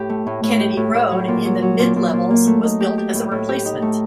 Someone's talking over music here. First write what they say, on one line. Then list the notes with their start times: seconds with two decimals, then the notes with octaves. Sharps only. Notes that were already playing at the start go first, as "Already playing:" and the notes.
Kennedy Road in the Mid-Levels was built as a replacement.
Already playing: A2 G4
0.10 A3
0.27 A2
0.43 A2
0.60 G4
0.77 A2
0.94 A2
1.11 F#3
1.28 A#2
1.45 F#3
1.62 F#3
1.79 A#2
1.96 A#2
2.13 A#2
2.30 A#3
2.47 A3
2.63 D#4
2.80 G4
2.98 G4
3.15 A2
3.31 A2
3.49 G4
3.65 D#4
3.82 A3